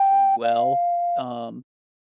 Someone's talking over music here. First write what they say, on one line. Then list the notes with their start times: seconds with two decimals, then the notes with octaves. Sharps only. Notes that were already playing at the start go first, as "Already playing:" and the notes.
pretty well. Um.
Already playing: G5
0.44 F5